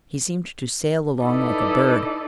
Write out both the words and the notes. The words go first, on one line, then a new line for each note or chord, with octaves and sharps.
He seemed to sail along like a bird.
D#4 E4 A4 B4 D5 D#5